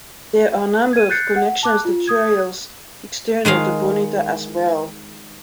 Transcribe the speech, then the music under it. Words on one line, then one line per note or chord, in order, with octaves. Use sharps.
There are a number of connections to trails external to Bonita as well.
G#6 D#7
F#6 G6 A6 C7 C#7
F#5
A5 D6 F#6
F4
D#6 G#6
D#3 G#3 D#5 F5